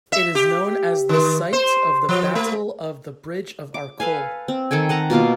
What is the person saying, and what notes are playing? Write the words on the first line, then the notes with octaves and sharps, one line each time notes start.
It is known as the site of the Battle of the Bridge of Arcole.
E5
G4
D#3
C5
F3
A3
D6
A4 B4 F5 G#5
C4
D#3 A4 G5 G#5
D#5 F#5 A5 A#5
B2 A#3 F4 F5